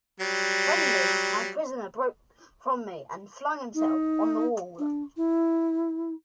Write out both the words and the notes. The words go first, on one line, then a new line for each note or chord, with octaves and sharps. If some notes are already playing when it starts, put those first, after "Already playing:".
Suddenly my prisoner broke from me and flung himself on the wall.
F#3 G3
D#4
D4
E4